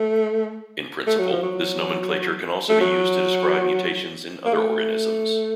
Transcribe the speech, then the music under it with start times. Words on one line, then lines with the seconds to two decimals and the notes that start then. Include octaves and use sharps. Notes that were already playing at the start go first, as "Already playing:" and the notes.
In principle, this nomenclature can also be used to describe mutations in other organisms.
Already playing: A3
1.07 A3
1.18 F#3
1.31 F3
1.43 F#3
2.69 A3
2.81 F#3
4.45 A#3
4.54 A3